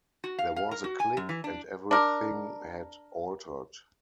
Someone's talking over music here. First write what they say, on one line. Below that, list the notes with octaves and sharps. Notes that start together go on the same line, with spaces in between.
There was a click, and everything had altered.
F#4
F5
F5
A#4
F#4
G#5
F#2
E3
D4
D4 A#4